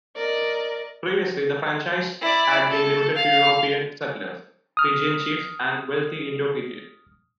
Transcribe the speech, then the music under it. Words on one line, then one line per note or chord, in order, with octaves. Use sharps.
Previously, the franchise had been limited to European settlers, Fijian chiefs, and wealthy Indo-Fijians.
A#4 D5 D#5
E4 D5
A4
F5
D#6 F6